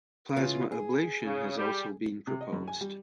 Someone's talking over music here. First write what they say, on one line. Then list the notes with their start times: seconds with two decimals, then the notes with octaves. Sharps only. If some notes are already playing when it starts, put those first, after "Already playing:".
Plasma ablation has also been proposed.
0.36 C#3 E3 F4
0.72 G#4
1.24 C#3
1.57 G3
2.27 C3
2.41 D#5
2.53 F#2
2.68 G#5
2.81 G3